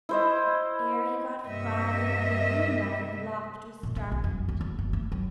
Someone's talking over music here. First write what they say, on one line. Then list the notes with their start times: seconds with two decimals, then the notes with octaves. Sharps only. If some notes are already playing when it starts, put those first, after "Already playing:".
But ere he got farther the moonlight in the loft was darkened.
0.09 E4 C5 D#5
1.45 G2 C3 A#3 D#5 E5
3.83 A#2
3.96 D4
4.12 A#1
4.24 F#2
4.49 D#2
4.61 D2
4.79 F#1
4.93 A3
5.12 F#3